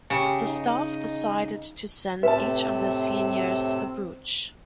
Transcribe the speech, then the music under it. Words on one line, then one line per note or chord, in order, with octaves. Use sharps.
The staff decided to send each of their seniors a brooch.
C#3 G4
D#4
A2 C3 C4 B4 E5 A5 E6